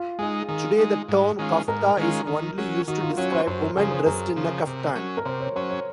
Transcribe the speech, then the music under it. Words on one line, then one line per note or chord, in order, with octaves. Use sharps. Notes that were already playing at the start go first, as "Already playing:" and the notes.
Today the term Kafta is only used to describe women dressed in a Kaftan.
Already playing: F4
G#3 D#4 G#4
D#3 G#4
G#3 D#4
G#2
D#3 G#3 C#4 F4
G#2 A#4
D#3 G#3 C#4 F4
D#3
F#3 C#4
D#3 F#4
F4
F#3 C#4 C#5
C5
F#2 C5
A#4
C#3 F3 G#4
C5
F#2 A#4
C#3 F3
C3
F#3 C#4
A#4
C3 C5
C#5
F#3 C#4 C5
C#5